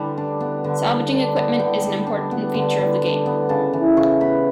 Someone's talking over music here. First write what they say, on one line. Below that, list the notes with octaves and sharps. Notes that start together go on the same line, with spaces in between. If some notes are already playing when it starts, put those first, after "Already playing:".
Salvaging equipment is an important feature of the game.
Already playing: D3 G3 B4
D4
B3
D3
G3
D4
B3
D3 G5
G3
D4
B3
D3
G3
D4
B3
C#3 A5
E3
C#3 C#6
B3 B5